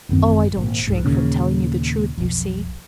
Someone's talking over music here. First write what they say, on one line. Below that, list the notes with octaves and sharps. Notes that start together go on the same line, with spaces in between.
Oh, I don't shrink from telling you the truth, you see.
A1 F#2 D#3 C4
G#1 A#2
C2 G#2
D#2 A#2 C#3
B1 F2